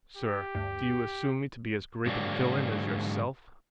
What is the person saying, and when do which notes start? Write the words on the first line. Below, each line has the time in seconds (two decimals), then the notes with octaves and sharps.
"Sir, do you assume me to be as great a villain as yourself?"
0.17 G4
0.55 D2 G2
2.06 G#2 D3 F#3 A#3 G4 D5